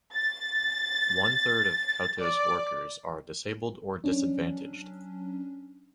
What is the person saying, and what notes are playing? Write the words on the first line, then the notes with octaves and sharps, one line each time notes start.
One-third of Cauto's workers are disabled or disadvantaged.
A6
D5
F#3 C#4 D4